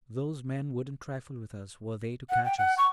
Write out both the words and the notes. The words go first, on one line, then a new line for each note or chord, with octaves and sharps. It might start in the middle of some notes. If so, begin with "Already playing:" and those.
Those men wouldn't trifle with us, were they to catch us.
F#5
G5
F#5
C#6